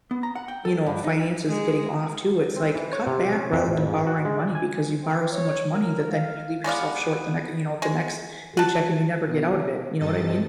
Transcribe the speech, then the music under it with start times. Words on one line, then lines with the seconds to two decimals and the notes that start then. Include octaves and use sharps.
you know, finances getting off too. It's like, cut back rather than borrowing money because you borrow so much money that then you leave yourself short the nex or you know, the next paycheck, and you never get out of it. You know what I mean?
0.11 B3
0.23 A#5
0.35 F#5
0.48 G5
0.65 A4
0.86 G2
1.04 D#4
1.47 G#3
2.56 C4
2.75 E3
2.93 C#5
3.07 C3
3.35 C#4
3.53 F2
3.68 A1
3.87 G#2
4.07 F#4
4.25 G#3
4.39 D5
4.55 G#5
5.03 C4
5.32 C#5
5.72 A#4
6.11 F5
6.64 G#3 B3 D5 F5
7.82 G#3
8.57 F#5 A5
9.28 B2
10.00 G2 C3 A4 D#5 A6